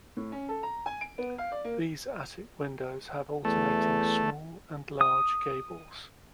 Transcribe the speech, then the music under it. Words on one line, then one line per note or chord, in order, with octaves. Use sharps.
These attic windows have alternating small and large gables.
A2
C#4
A4
A#5
G#5
D7
B3
F5
D5
A#3
E2 A3
D#6